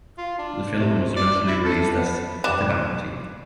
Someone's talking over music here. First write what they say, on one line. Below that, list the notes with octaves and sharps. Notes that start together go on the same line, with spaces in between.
The film was eventually released as "The Bounty".
F4
D4
C3
D5
E4
A4
B3
G3 F#6 E7